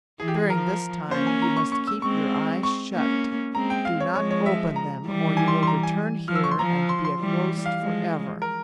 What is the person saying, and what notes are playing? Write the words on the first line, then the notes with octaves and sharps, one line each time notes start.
During this time you must keep your eyes shut; do not open them, or you will return here and be a ghost forever.
E3 G#4
G4
G#4
F3 A#4
A#3 C#4 C5
G#5
A#5
C#6
C#6
E6
G#3 C4 C#6
C#6
A#3 C#4
G#3 C4 A#5
G5
F5
C#5
F3 G#3 C#5
C#5
E5
A#5
E3 G3
G#5
C6
C6
A#5
G#5
F3 F6
E6
C#6
C6
F3 A#5
C6
C6
E3 G3
F5
F3 G#3
A#4